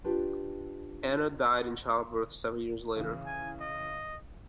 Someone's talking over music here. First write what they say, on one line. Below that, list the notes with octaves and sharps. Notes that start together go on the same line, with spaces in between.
Anna died in childbirth seven years later.
D4 F4 G4 B4
C#3 E3
G#5
D#5